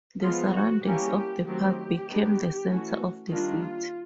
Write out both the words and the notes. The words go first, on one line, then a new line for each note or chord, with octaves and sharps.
The surroundings of the park became the center of the city.
F3 G#3 B3 F4
F#4
E3 G3 A#3 C#4 G4
G4
D#3 F#3 A3 C4 G4
D#3 G3 B3 D4
E3 A3 C#4 F#4
D#3 G3 A#3 D4 F4
F4